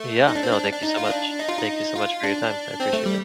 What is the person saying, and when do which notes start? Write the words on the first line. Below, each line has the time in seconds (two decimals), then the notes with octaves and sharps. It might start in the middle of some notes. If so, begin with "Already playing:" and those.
Yeah. No. Thank you so much. Thank you so much for your time. I appreciate it.
Already playing: A3
0.27 D#4
0.35 D4
0.43 C4
0.52 D4
0.73 D4
0.83 D#4
0.97 F4
1.06 D#4
1.11 D4
1.39 D#4
1.49 F4
1.58 D#4
1.96 F4
2.23 D4
2.80 C4
2.93 A3
3.06 G3